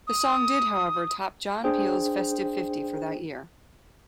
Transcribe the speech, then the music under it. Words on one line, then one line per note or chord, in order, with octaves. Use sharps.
The song did however top John Peel's Festive Fifty for that year.
D#6
D4 G#4 C5 G5